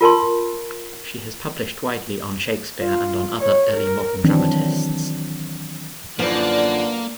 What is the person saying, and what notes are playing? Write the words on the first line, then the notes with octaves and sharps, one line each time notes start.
She has published widely on Shakespeare and on other early modern dramatists.
F4 A#4 A5 C6
F4
C#5
A#4
D#3 E3 F#3 C4 D4
F#2 D3 E3 F3 A#3 D5 F#6